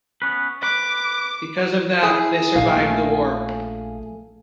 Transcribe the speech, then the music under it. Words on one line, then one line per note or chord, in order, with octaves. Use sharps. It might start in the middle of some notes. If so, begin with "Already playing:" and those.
Because of that, they survived the war.
B3 C#4 B4
B4 D6
E4 G#4
A#1 F5 G#5
A3